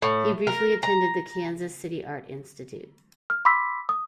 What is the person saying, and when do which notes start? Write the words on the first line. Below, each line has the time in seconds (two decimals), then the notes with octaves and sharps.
He briefly attended the Kansas City Art Institute.
0.02 A2
0.47 A#4
0.83 A#5
3.30 F6
3.45 B5 C6 D6 E6 B6
3.89 D#6